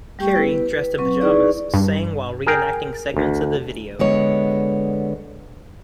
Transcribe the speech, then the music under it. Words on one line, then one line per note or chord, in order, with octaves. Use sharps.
Carey, dressed in pajamas, sang while re-enacting segments of the video.
G3 A3 G4 G5 C#6
B3 E4 B4
B4
F#3 C4 B4 C#6
D#4 E4 G#4 B4 D5 C#6
G2
G#4 A#4 G5
D2
D3 G#3 B3 C#5